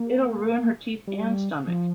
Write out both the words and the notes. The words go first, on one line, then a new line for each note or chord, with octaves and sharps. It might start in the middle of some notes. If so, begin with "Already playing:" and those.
It’ll ruin her teeth and stomach.
Already playing: A#3
G3
F3